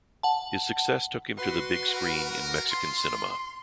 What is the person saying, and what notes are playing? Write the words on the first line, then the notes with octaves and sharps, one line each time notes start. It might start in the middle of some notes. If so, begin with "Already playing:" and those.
His success took him to the big screen in Mexican Cinema.
F#5 A5
F#4 B4 C6
A#4
F4 C6
C6